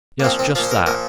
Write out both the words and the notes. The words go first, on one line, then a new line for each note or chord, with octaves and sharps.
Yes, just that.
A#3
A#2 F3 C4
C4
A#2 F3 F4
C5
A#4
A#2 F3 A#4